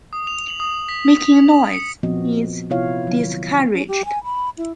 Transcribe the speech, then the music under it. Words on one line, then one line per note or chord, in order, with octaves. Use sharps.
Making noise is discouraged.
D#6
F7
F#7
D#6
B6
D#6
C#7
A#2 F3 B3 C4 F#4 D#5
C3 B3 E4 F4 C#5 F5
D#3 F#3
C#4
G4
G#5
B5
E4